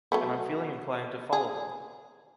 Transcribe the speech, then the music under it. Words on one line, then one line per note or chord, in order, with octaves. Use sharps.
And I’m feeling inclined to follow them.
F#3 A3 B3
G#4